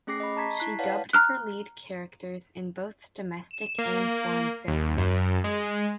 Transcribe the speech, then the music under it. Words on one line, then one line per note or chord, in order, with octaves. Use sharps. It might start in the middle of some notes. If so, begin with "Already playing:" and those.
She dubbed for lead characters in both domestic and foreign films.
A3 C#4 G#4 D6 A#6 C7
D#5 B5
A5 A#5 C#6 G#6 B6
E4 F#6 B6 C7
B4 C#5 D5 F5 F#5 A5
A#5 F6 F#6
E7
A#3
D#2
F#2
G#3